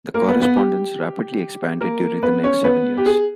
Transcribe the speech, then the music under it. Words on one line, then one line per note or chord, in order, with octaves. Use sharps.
The correspondence rapidly expanded during the next seven years.
A#3 A#4
B3 B4
B3 B4
G4
A#3 A#4
B3 B4
C#4 C#5
B3 B4
G4
G#4